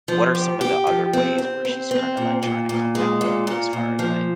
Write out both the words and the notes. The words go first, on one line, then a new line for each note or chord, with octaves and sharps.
what are some of the other ways where she's kinda, like, trying to come down on you as far as, like,
F3
G4
G4
F3
C4
C4
C4
C4
A#2
A#2
A#2
G#3
A#2
A#2
A#2
F3